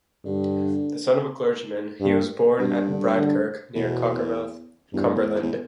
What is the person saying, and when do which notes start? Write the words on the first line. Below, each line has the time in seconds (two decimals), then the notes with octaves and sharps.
The son of a clergyman, he was born at Bridekirk near Cockermouth, Cumberland.
0.25 G2 D3
2.01 G2
2.58 G2 B2
2.88 D3
3.17 D3
3.75 E2 B2
4.93 E2 G2
5.15 E2
5.42 E2